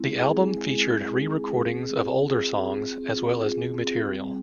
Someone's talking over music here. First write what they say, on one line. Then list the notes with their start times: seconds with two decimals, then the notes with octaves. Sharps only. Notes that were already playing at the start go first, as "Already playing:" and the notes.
The album featured re-recordings of older songs as well as new material.
Already playing: G#3 C4 E4
0.09 G#4
0.40 G#3
0.71 C4
1.00 E4
1.31 G#4
1.61 C4
1.92 F4
2.22 G#4
2.53 C4
2.83 C4
3.14 F4
3.43 G#4
3.75 C4
4.05 G3